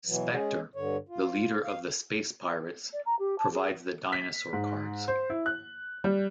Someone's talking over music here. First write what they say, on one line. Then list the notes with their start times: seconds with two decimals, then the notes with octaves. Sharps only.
Spectre, the leader of the Space Pirates, provides the dinosaur cards.
0.07 B2 E3 F#3
0.32 G#3 C#4 G#4
0.76 G2 D3 C#5
1.09 F4
1.64 F5
2.93 D5
3.06 A#5
3.19 G4
3.38 A5
3.52 G#4
4.13 B6
4.53 G#2
5.08 C5
5.30 E4
5.46 F#6
6.04 G3